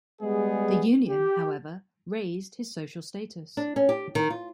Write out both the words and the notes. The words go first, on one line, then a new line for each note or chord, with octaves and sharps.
The union, however, raised his social status.
G3 G#3 B3 G#4
G4
D4
C#4
G4
D#3
F4